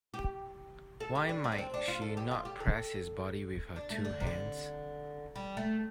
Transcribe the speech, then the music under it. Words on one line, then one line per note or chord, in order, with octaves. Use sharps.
Why might she not press his body with her two hands.
G4
A4
G4
D4
C4
D4
C4
D4
F4
A4
G4
F4
G4
A4
D4
A3
D3
C3
D3
G3
A3